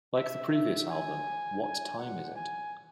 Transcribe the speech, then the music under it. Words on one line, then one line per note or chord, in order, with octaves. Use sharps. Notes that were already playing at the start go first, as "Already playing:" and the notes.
Like the previous album, What Time Is It?
E5
E5
G#5
G#5
F#5
G#5